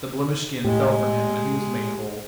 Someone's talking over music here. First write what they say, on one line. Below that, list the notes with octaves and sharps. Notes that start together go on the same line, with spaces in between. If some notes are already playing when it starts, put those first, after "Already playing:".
The blemished skin fell from him, and he was made whole.
A2 G#3 G4